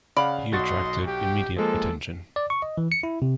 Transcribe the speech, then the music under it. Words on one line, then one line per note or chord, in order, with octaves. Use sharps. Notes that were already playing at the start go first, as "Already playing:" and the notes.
He attracted immediate attention.
C#3 D5 F5 F#5 B5
B1 F#4 D#5 C6 A6
G4 G5
F3 G#3 A#3 A4
D5
C#6
D#5
E3
C#7
E4
C3